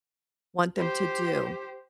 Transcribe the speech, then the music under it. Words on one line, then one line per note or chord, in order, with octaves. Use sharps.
want them to do,
G4 C5